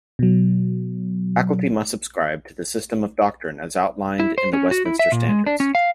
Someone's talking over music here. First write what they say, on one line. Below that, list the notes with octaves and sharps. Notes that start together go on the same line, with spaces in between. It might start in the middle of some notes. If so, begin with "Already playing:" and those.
Faculty must subscribe to the system of doctrine as outlined in the Westminster Standards.
B2 F#3
E4
C5
C#4
F#4
E4
E5
A#2
G#3
D4
C#4
F5